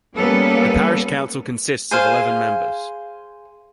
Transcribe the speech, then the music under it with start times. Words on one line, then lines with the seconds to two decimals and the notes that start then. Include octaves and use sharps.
The parish council consists of eleven members.
0.15 G3 A#3 B3 C#4 A4 B4
1.91 G#4 C5 F5 G#5